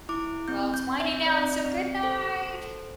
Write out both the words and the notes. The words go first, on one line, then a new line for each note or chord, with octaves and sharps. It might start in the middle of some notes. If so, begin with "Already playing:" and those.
well, it's winding down, so good night.
E4 D6
C4 G6
G6
C4
E5
C4 D5
C4
A4 C5
A4